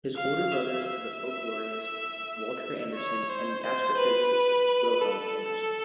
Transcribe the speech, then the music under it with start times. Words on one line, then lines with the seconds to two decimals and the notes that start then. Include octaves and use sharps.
His older brothers were the folklorist Walter Anderson and the astrophysicist Wilhelm Anderson.
0.17 F5
0.52 E5
0.86 E5
2.94 C#5
3.29 C5
3.63 C5
3.97 B4
5.02 A4